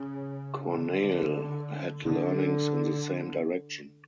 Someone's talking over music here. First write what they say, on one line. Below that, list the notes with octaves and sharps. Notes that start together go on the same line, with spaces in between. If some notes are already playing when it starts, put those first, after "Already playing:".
Corneille had leanings in the same direction.
Already playing: C#3
D3
D3